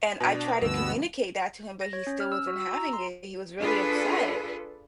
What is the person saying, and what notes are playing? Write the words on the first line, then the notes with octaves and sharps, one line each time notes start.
And I tried to communicate that to him, but he still wasn't having it, he was really upset.
B2 D4
D2 G2 B3 E6
A#6
C#5
C#4
F6
E6
F#4
E6
A#5
C6
D4 F4 G#4 A4 B4